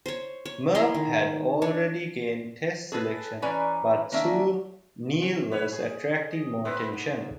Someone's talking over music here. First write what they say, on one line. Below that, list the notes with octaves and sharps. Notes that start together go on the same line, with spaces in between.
Merv had already gained Test selection, but soon Neil was attracting more attention.
C5 C#5
C#5
E4 G#4 A#5 C6
D#3
D4 C#5
G#4 A4 B4
E3 C#4 B4 D5 G#5 A#5
D#3 A#3 C#4 D4 E5
C4
B4 C#5
G#4
D#5
B3 C4 B4
G#2